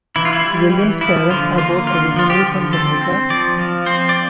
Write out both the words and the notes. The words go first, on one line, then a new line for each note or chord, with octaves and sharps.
Williams's parents are both originally from Jamaica.
E3 E4
F4
E4
G3
E3
F3 E4
D3 F4
A#3 F4
D3 F4
F3 F4
G4
D3
C4 A4
C4
F3 D5
F3
C4 C5
D5